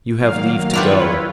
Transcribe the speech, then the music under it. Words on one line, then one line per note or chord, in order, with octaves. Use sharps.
You have leave to go....
D#3 F#3 A#3 F5
G3 D4 E4 F4 A#4 B4 C#5